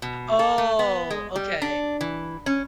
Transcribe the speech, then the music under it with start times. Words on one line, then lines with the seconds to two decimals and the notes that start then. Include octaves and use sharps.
Oh, okay. B
0.02 B2
0.39 A4
0.58 A3
0.79 B3
1.10 G#3
1.36 G3
1.62 D4
2.01 E3
2.46 C#4